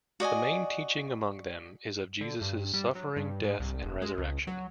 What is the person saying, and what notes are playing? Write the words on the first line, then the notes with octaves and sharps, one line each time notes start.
The main teaching among them is of Jesus' suffering, death, and resurrection.
F#4 D5 D#5 G#5
D3
G2
G3
F#3
G2
G#2
C2
E1
G#3
C#2
F#3